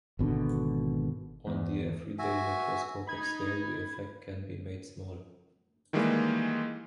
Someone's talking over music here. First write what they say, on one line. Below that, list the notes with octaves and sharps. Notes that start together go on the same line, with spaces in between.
On the everyday macroscopic scale the effect can be made small.
G#1 B2 D3
E2
F#4 E5 G#5
D#4 B5 G#6
D#3 E3 G3 G#3 A#3